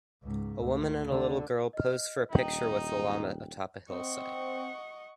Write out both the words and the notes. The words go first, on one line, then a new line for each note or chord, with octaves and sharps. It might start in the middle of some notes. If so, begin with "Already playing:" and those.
A woman and a little girl pose for a picture with a llama atop a hillside.
C#2 G#2
D2
D3
D#5 F6
D#1 D4 D#4 G5 F#7
C4 D#5 F#5 C#6